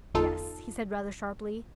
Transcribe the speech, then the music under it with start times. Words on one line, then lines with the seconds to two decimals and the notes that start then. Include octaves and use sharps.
"Yes," he said rather sharply.
0.14 G1 E2 D#4 F4 A4 A5